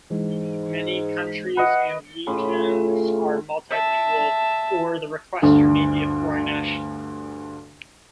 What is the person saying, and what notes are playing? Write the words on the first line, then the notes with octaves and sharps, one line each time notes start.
Many countries and regions are multi-lingual, or the requestor may be a foreign national.
G#2 E3 G#3
B4 D#5 F#5 F#6
A2 C#3 F4 B5
E5 A5
D2 G2 D3